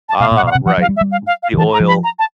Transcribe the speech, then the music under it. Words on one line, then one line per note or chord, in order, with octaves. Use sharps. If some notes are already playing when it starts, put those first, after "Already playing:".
Ah, right. M the oil.
A5
B2 F5
A#2
F#5
B2
F5
F#5
C3
F3 F#5
F#3
F5
G3
E5
G3
F5
F5
F5
D#3
E3 A5
A#5
F3
B5
A#5
A5